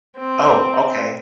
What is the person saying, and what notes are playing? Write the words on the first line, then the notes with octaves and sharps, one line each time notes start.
Oh, okay.
C4